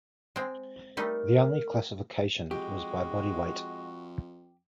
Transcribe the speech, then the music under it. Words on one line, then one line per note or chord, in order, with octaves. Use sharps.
The only classification was by body weight.
G#3 C4
G3 A3 D#4 A#4
F2 G#3 F#4 G4